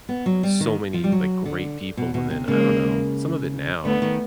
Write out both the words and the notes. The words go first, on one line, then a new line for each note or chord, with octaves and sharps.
so many, like, great people, and then, I don't know, some of it now
B3
F#3
G3
D#3
F3
G3
F#3
D3
B2
B2
C3
C#3 G#3 A#3
D3 A3 B3
D#3